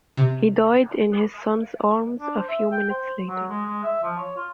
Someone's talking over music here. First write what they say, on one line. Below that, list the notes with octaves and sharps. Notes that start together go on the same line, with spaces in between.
He died in his son's arms a few minutes later.
C3
D4
C5
E5
G5
C5
F#3
G#3
G#3
E5
F3
C#5
F4